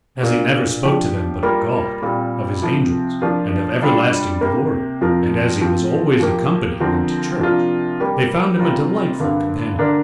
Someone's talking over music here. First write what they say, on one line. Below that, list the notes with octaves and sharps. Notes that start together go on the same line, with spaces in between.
As he never spoke to them but of God, of His angels, and of everlasting glory, and as he was always accompanying them to church, they found him a delightful companion.
A#2 A#3 D4
F3 D4 G4
G3 A#3 F4 A#4
A#2 G3 C4
C3 F3 C4
F3 A#3 D4 F4
G3 D4 F4
C3 A#3 G4 A#4
F2 F3 C4 F4 A#4
F3 C4 F4
F3 A#3 G4
D3 F3 C4 A#4
C3 F3 D4 F4 A#4
G3 A#3 G4 A#4
C3 G3 C4 F4 A#4
G2 D3 A#3
D3 A#3 D4 A#4